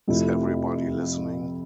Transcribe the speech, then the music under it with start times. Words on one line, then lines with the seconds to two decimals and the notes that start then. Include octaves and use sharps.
Is Everybody Listening?
0.08 F2 C3 F3 A3 E4